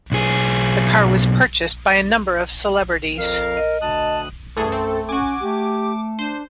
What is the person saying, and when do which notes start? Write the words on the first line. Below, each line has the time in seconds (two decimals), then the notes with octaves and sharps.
The car was purchased by a number of celebrities.
0.12 B1 G#4
3.18 F2 A#4 F5
3.57 D#5
3.81 D2 A5 D#6 F#6
4.57 C2 F#2 E3 A3 G#4 A4
4.72 C4
5.09 C#4 F#4 G#5 D6
5.41 A3 G4
6.19 D4 C5